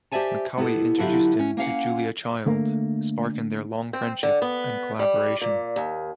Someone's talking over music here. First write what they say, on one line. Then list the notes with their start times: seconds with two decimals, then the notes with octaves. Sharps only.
McCully introduced him to Julia Child sparking their long friendship and collaboration.
0.12 G4 C5 D5 E5 G#5 A5
0.57 B3 E4 G4 A4 D#5
0.98 D3 F#3 E4 F4 G4
1.39 C#4
1.57 A#3 C#4 F5 F#5
2.46 D3 A3 A#3
3.93 C4
4.23 D3
4.42 B3
4.99 G3
5.41 A#2
5.76 D#2